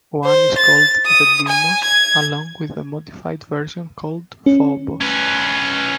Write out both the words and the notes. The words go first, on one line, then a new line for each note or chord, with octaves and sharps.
One is called the Deimos, along with the modified version called Phobos.
C5
A6
D#6
G#5
G#6
C#4
C#4 B4